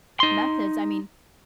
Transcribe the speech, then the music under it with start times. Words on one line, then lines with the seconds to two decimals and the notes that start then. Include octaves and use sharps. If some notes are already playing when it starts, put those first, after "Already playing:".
methods. I mean,
0.20 D#4 C6